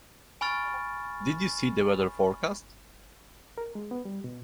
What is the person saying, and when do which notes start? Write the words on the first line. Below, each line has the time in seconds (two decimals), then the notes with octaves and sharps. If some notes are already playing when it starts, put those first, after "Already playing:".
Did you see the weather forecast?
0.41 G#5 B5 C#6 F6 A6
3.58 A#4
3.75 G#3
3.91 B3
4.05 G3
4.24 B2